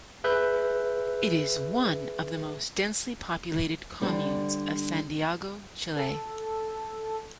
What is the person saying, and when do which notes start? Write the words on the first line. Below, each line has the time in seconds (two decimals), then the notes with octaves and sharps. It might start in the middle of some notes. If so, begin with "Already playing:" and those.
It is one of the most densely populated communes of Santiago, Chile.
0.24 G#4 B4 E5 F#6 G6
4.02 D3 G3 C4
5.96 A4